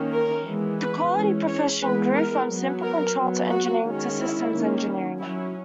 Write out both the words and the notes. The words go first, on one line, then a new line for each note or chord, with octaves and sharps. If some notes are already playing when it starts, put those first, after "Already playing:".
The quality profession grew from simple control to engineering, to systems engineering.
Already playing: D#3 A#3 C#4
A#4
E3 G#3 B3
B4
E3 G#3 C#4
C#5
E3 G#3 B3 B4
A#4
F#3 B3
A#4
F#3 B3
F#4
D#3 G#3 C#4
E4
D#3 A#3 C#4
F#3 C#4 E4